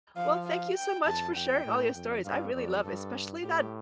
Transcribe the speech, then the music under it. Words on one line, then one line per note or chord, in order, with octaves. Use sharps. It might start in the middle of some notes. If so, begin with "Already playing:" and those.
Well, thank you so much for sharing all your stories, I really love especially that
F3 F5
F5
G5
F2 A5
F2 G5
A2
F2
G2 F5
F2 D5
G2 A4
A2 G4